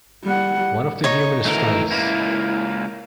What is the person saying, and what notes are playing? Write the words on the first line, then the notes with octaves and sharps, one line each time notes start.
One of the human strains.
G3 F#5
D#4 C#5
D2 D#3 E3 A3 A#4
C#2 A#3 E4